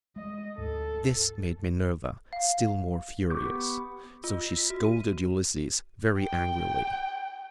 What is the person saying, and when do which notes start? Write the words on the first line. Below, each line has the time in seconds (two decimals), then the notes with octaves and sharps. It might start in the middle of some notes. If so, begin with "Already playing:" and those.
This made Minerva still more furious, so she scolded Ulysses very angrily.
0.16 G#3 D#5
0.58 D2 G#2 A4
2.33 F5
3.30 B3 G4 C#6 D6 G6
4.24 F4
4.42 A#6
4.57 B6
4.70 F#4
4.84 D#7
6.19 G5